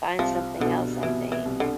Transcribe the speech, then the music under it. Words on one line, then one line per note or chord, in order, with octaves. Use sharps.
find something else, I think.
C2 F3
B2 D3
B2 E3
E3
C2
D3